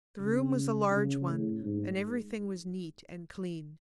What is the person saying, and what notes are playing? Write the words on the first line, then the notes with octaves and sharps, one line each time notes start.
The room was a large one and everything was neat and clean.
C#3
C#3
A2
G#2